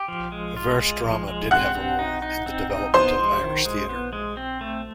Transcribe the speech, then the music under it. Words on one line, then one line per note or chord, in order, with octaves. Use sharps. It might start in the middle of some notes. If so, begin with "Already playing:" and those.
Verse drama did have a role in the development of Irish theatre.
Already playing: G4
F3
G#3
F4
G#3
F3
G#3
C4 F#5 F#6
C4
D#4
D#4
C4
D#4
B3 C5 C6
G#3
D#3
G#3
B3
G#3
C4
A3